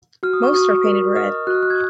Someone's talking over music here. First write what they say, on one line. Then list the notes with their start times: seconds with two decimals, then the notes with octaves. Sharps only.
Most are painted red.
0.23 F#4 F6
0.33 D#6
0.43 C#6
0.53 F#4 D#6
0.85 A#4
1.16 D#5 F6
1.47 F#4 F#6
1.55 F6
1.63 F#6
1.70 G#6